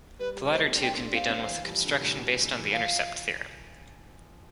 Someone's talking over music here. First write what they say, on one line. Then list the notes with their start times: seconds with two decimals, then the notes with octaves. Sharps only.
The latter two can be done with a construction based on the intercept theorem.
0.19 G3 B4
0.35 G3
0.50 A3 C5
0.67 C4
0.74 D4
0.82 C4 G5
0.89 D4
0.97 C4
1.05 D4
1.13 C4 F5
1.21 D4
1.28 C4
1.47 E3
1.63 G3
1.68 F3
1.84 D3
1.88 C3
2.02 A2
2.11 B2
2.26 D3
2.42 D3
2.58 E3
2.73 F3 F5